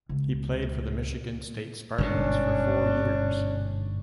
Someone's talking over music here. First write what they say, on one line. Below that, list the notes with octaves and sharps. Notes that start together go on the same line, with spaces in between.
He played for the Michigan State Spartans for four years.
C#2
G1 G#2 B2 C#4 D4